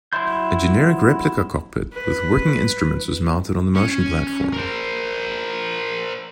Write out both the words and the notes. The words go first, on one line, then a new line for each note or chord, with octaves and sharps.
A generic replica cockpit with working instruments was mounted on the motion platform.
F#3 E4 E5 C6 G6
B4
C#4
A#4 C5